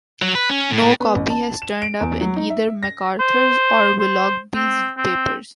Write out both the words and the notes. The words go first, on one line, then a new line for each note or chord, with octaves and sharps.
No copy has turned up in either MacArthur's or Willoughby's papers.
F#3
B4
C#4
A2
A2
B3
A1
A5
E7
D7
E2
F#3
D#4
E5
A#6
C5
C5
C4
C4